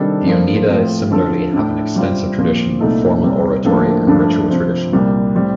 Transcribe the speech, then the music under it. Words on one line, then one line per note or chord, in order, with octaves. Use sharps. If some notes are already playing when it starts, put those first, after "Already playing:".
The Oneida similarly have an extensive tradition of formal oratory and ritual tradition.
Already playing: C3 D#3 G3 D4 A4
G2 F3 A#3 F4 A4
A2 F3 A3 C4
D3 F3 C4 F4 A4
A2 A3 D4
C3 G3 C4 F4
A#2 F3 C4
C2 A#2 A3 D#4 A4
C3 G3 C4
A2 F3 A#3 D4 A4
G2 F3 A3 D4
C3 F3 C4
C2 A#2 G3 A#3
A2 G3 C4